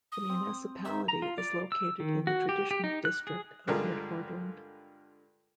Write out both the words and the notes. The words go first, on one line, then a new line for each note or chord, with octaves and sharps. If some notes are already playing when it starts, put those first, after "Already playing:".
The municipality is located in the traditional district of Midhordland.
D#6
C4
D#3 D#4 E5
A#5
F4
D5
E6
D#3
F#4
G4
G4
D#4
F#6
G#4
G2 D3 G#3 F4 A#4